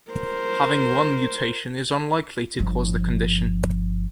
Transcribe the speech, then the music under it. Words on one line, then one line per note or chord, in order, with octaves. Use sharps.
Having one mutation is unlikely to cause the condition.
A#4 C5
G1 F3